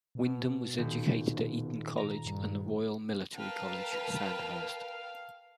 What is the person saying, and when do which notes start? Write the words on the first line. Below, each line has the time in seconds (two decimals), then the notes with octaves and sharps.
Wyndham was educated at Eton College and the Royal Military College, Sandhurst.
0.15 B2
0.78 D#1
1.97 A#5
2.26 G2
3.36 A#4 B4 F5 G5 A5 F6